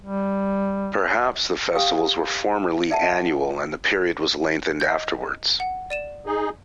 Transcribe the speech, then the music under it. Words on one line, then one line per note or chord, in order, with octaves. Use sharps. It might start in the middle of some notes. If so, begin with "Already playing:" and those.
Perhaps the festivals were formerly annual and the period was lengthened afterwards.
G3
G4 F5 G5 D#6
D5 E5 F#5 A5
D#5 G6
F#5
D5 D#7 E7
D#4 G#4